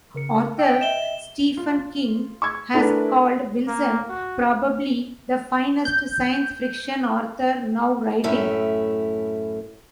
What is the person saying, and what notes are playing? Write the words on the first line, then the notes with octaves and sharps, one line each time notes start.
Author Stephen King has called Wilson "probably the finest science-fiction author now writing".
C#3 A#4 C#7
G5 E6
D#5 E5 E7 G7
F4
C#6 E6 G#6
A3 D4 E4 G#4 A#4 B4
A#3
F#4
G6
F#2 A2 A3 C#4 E4